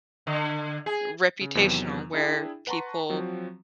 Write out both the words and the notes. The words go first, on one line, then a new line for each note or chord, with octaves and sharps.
reputational where people
D3
G#4
C#3
E2 C3 D#3 F#3 B3
D4 E4 G#4 G5
B4 F#5 A5 A#5 C6 C#6
F3 F#3 C4 F#4